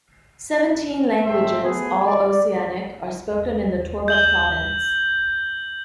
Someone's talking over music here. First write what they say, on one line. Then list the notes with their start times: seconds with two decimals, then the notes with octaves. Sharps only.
Seventeen languages, all Oceanic, are spoken in the Torba province.
1.25 G#2 A3 C4 E5 C6
1.63 A3 B3 G#4
2.05 D5
4.08 G6 F#7 G7